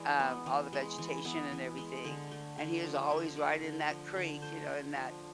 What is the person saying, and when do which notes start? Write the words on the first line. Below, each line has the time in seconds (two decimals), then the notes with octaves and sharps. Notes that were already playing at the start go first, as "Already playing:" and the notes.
um, all the vegetation and everything, and he was always right in that creek, you know, in that
Already playing: E3 G#3 D5
0.19 B3
0.46 E3
0.73 G#3
0.98 E3
1.25 B3 E5
1.52 E3
1.78 G#3
2.04 D3
2.31 A3
2.58 D3
2.84 F3
3.10 D3 E5
3.37 A3 D5
3.64 D3
3.89 F3
4.16 D3
4.42 A3 C5
4.69 D3
4.96 F3